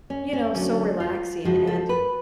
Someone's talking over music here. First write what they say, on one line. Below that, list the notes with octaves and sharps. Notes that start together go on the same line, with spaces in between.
you know, so relaxing, and
C#4
C#4
D3 F#3 A3 C#4
F4
C#3 F3 G#3 F#4
A4
B4